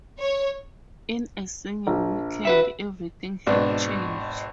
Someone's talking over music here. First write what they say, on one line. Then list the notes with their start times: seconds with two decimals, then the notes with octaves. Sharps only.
In a single weekend everything had changed.
0.19 C#5
1.87 A#1
2.45 F#4 B4 E5
3.47 G#1 B2 D4 B4